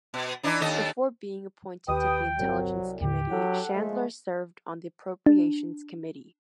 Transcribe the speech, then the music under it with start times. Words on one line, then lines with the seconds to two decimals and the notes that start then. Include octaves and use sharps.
Before being appointed to the Intelligence Committee, Chandler served on the Appropriations Committee.
0.14 B2
0.43 E3 D4 D#4
0.61 D#2 A4 D#5
1.88 D#2 G4 B4 G5 D#6
2.39 G1 C2 B2 F#3 C4
3.01 D#2 A2 D3 G4
3.31 F#3 D4 A4 F#5
3.75 F3 G#3 A3
5.26 D4